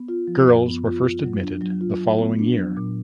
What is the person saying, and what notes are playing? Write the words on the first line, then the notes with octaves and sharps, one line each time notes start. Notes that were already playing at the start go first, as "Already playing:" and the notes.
Girls were first admitted the following year.
Already playing: B3
F4
F3
F#2
B3
F4
F4
F#3
D4
F#3
F4
F#3
B3
D4
F#3
A#2